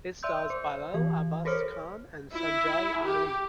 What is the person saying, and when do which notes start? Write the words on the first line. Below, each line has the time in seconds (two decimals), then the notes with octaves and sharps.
It stars Bilal Abbas Khan and Sajal Aly.
0.23 D5 E5 C6 E6 G6
0.50 C5
0.94 E3 G4
1.45 A4 A#4 C5 C#5 F6
2.33 E4
3.05 G4